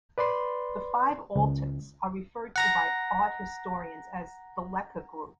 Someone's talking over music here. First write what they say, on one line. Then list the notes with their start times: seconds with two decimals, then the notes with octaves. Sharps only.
The five altars are referred to by art historians as the "Leka group".
0.18 B4 D5 B5 C6
1.35 C#2
2.56 F#5 A#5 A#6